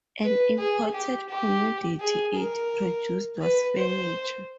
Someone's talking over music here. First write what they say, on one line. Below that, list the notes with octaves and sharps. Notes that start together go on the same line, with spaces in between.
An important commodity it produced was furniture.
B4
G#4
G4
G4
G#4
A#4
B4
C5